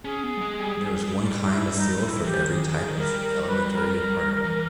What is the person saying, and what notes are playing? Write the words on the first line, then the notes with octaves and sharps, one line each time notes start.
There is one kind of field for every type of elementary particle.
C#4 G#4
B3
G3
G#3
G3
G3
D#4
E4
D#4
E4
E3 G4
D#3
G#4
D#3
G#4
D#3
G3 A#4
A#4
B4
B4
A#4
E3